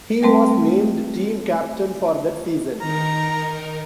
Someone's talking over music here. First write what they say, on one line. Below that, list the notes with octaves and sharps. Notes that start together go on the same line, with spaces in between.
He was named team captain for that season.
G3 A3 C4 B4
D#3 D#4 A#4 A#5